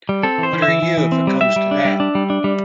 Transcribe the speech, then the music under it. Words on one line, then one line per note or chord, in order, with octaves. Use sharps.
What are you, if it comes to that?
G3
C4 A4
E3
C5
E3
E5
E3
E3
E3
C4
G3
G3 E5
G3
D4
G3
D4
G3
D4
G3